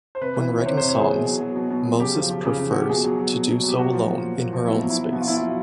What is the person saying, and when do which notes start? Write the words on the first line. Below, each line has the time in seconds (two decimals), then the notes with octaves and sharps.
When writing songs Moses prefers to do so alone in her own space.
0.15 C5
0.21 C3 B4
0.36 E3
0.52 E3
0.60 C#5
0.66 C3 C5
0.77 C5
0.81 C3
0.88 C#5
0.96 E3 G#4
1.11 B2
1.26 F#3
1.40 F#3
1.56 B2
1.70 B2
1.85 F#3
2.00 C#3 G4
2.15 F3
2.30 F3
2.45 C#3
2.60 C#3
2.71 F3 F#4
2.81 G4
2.89 B2 G#4
3.04 F#3
3.19 F#3
3.34 B2
3.49 B2
3.63 F#3
3.69 G4
3.79 A#2 F#4
3.93 F3
4.09 F3
4.23 A#2
4.38 A#2
4.53 F3
4.68 B2 E4
4.83 F#3
4.90 E4
4.98 F#3
5.12 B2 F#4
5.21 F4
5.28 B2 E4
5.37 F4
5.42 F#3